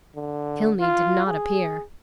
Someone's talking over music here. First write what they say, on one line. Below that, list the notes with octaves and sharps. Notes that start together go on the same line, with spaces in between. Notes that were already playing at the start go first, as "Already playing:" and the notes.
Tilney did not appear.
D3
F4
G#4